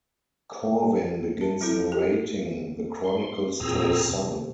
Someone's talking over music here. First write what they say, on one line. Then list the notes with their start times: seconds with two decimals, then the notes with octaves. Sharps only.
Corwin begins narrating the Chronicles to his son.
1.41 A5
1.61 F#3 C4 E4 A4
1.92 G4
3.04 C6
3.60 E2 A#2 C4 G#4 A#5 E6
4.12 C3